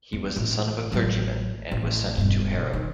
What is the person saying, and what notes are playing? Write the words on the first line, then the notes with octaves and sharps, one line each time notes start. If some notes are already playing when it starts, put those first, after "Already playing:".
He was the son of a clergyman and was sent to Harrow.
E2
A1
A1 F#3
A1
E1 G2
D#3